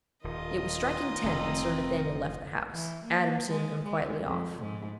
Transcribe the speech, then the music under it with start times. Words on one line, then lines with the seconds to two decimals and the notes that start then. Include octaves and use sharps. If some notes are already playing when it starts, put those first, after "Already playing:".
It was striking ten when Sir Nathaniel left the house, Adam seeing him quietly off.
0.24 D#1 D#3 F4 D#5
1.23 F1 C4 G#5
2.72 E3
3.05 A#3
3.50 G#3
3.84 G#3
4.26 F2
4.59 G#2